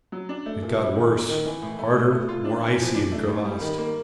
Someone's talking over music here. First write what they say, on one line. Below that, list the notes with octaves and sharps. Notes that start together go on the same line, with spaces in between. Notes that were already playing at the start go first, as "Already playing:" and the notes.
It got worse, harder, more icy and crevassed.
F#3
D4
A3
A#2
G3
D#3
A#3
D#3
E3
A2
A3
A2
A3
F4
D4
E3
F3
D4
A3
A2
G3
D#3
A#3